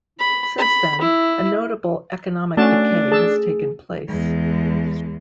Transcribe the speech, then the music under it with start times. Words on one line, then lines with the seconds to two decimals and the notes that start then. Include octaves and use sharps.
Since then, a notable economic decay has taken place.
0.19 B5
0.58 B5
1.01 E4
2.57 A3 C#4 D4 F#4 A5
3.12 G#4 A5 E6
4.08 E2 G#3